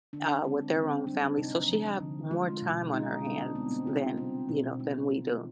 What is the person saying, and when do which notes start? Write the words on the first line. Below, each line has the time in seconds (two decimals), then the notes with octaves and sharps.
uh, with their own family, so, she have more time on her hands than, you know, than we do.
0.13 D3 D4
0.44 G#3 C4
0.75 D3 C4
1.07 G3 D4
1.38 C3 D#4
1.69 F3
2.00 D3
2.31 G#3 F4
2.62 B2
2.93 G#3 D#4
3.24 D3 D4
3.40 C4
3.55 G3 B3
3.71 C4
3.87 C3 F4
4.02 D#4
4.17 G3 C4
4.49 B2 C4
4.79 G#3 D#4
5.11 D3 F4